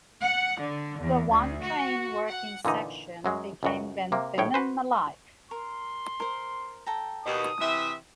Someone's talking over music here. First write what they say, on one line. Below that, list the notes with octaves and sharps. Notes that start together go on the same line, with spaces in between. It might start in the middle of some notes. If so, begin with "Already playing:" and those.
The One Train Working section became Glenfinnan - Mallaig.
F#5
D3
E2
D2
F#4
F#5
A#2 D3 E3 D#4
F#2 F#3 G#3
C#2 F#2 F#4
C3 A#3
A#1 A2 C#5 G5
F#4 B4 C5
A#4 C6
A#4 C5
A4 G5 A#5
D#2 B2 D#6
C3 E3 E5